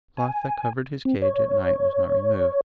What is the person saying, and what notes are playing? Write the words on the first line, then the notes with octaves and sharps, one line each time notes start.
The cloth that covered his cage at night was not removed.
G#5
C4
C#5